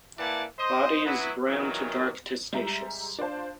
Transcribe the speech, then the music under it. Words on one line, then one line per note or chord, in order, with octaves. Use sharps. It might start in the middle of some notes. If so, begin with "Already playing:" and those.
Body is brown to dark testaceous.
E3 A#3 E4 D5 F#5 A5
C5 D#5
F#3 B3 E4
A#2 D#3 E3 F#3
G3 G#3 E5 A#5
D4 F4 C5 A5